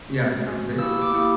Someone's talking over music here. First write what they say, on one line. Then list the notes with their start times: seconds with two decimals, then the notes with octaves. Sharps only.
Yeah, no, they
0.10 C#4 F#4
0.44 C#4 F#4
0.79 A#3 E4 G4 E6
0.90 E6
1.02 D6
1.13 A#3 E4 G4